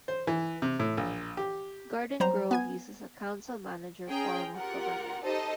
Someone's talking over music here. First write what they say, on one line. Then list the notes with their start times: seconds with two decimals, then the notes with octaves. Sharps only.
Garden Grove uses a council-manager form of government.
0.08 C5
0.27 E3
0.62 C3
0.80 A2
0.97 A#1
1.37 G4
2.20 F#3 G3 C5 A#5
2.51 B3 G#5 G#6
4.08 C#4 G#4 G5 A#5
4.55 F4 G4 A#4 F#5
5.23 D#4 G4 A4 C5 D#5 A5